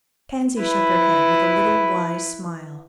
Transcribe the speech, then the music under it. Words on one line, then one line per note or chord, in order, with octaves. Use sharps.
Pansy shook her head with a little wise smile.
E4 B4